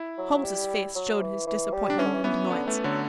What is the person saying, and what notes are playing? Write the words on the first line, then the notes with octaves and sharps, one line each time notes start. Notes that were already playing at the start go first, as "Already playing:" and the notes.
Holmes's face showed his disappointment and annoyance.
Already playing: E4
F#3
G3
F#3
E3
E3
G3
D4
E3 C#4
D3
E3
E3 B3
D3 B3
E3 A3
D3 F#3